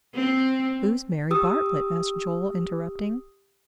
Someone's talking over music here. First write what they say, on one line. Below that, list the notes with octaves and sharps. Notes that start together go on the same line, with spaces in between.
"Who's Mary Bartlett?" asked Joel, interrupting.
C4
G4 D#6 E6